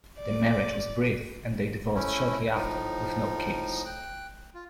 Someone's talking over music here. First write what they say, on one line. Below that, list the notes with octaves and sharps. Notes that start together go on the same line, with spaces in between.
The marriage was brief and they divorced shortly after with no kids.
D5
A3 C#4 E4
A2 F3 D#4
G5 F#6
F4